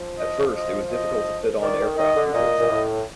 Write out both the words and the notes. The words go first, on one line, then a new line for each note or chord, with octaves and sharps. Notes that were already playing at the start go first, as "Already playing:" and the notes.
At first it was difficult to fit on aircraft due to its size.
Already playing: F3
D#5
D#5
D#5
D#3 D5
D#3
D#3 D#5
D3
A#2 D#5
A#2
A2